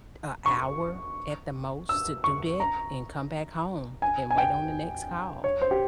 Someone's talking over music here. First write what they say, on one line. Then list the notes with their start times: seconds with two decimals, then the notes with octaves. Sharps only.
a hour at the most to do that, and come back home, and wait on the next call.
0.46 C#6
1.89 E6
2.24 C#6
2.60 A#5
4.02 G#5
4.30 G#5
4.38 G5
5.44 C#5
5.62 C5
5.71 G4